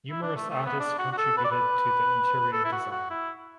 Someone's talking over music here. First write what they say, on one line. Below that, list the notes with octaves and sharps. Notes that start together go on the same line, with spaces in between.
Numerous artists contributed to the interior design.
E4
D4
A3
A3
B3
D4
F#4
F#4
A4
B4
D5
B4
A4
E4
F#4
F#4
E4